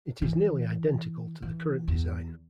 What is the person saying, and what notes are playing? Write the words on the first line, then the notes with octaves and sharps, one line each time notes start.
It is nearly identical to the current design.
E3
E3
E2